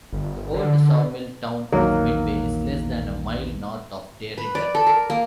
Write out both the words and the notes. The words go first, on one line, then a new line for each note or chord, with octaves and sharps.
The old sawmill town of Midway is less than a mile north of DeRidder.
G1
D3
A#1 E2 D#3 F#3 A#3
B4
D5
A4
A#4
A#3